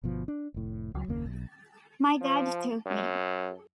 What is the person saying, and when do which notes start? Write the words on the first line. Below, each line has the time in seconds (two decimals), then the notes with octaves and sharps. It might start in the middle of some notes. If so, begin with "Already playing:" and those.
My dad took me.
0.04 G1 B2 F3
0.28 D4
0.54 F1 A2
0.94 C#2 F#3
1.08 F#1 D#2 C#3 A#3
1.26 B1
2.21 F3
2.86 F#2